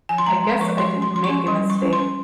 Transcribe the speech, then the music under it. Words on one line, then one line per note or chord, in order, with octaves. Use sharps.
I guess I didn't make a mistake.
F3 G#5
C6
G#3 A#5
G#3 C6
F3 C#6
G#3 C6
C#4
C6
F3 C6
C#6
C#4
G3 C6
G3 C#6
C#4
C6
C#4